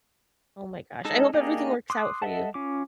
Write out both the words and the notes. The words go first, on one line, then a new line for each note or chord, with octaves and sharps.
Oh, my gosh. I hope everything works out for you.
G#3 D#4 A4
A#3 D4 D#4 G4 G#4
C6 D6 D#6 F#6
A4 D#5 E5 F#5 A5
C#4 F4 D6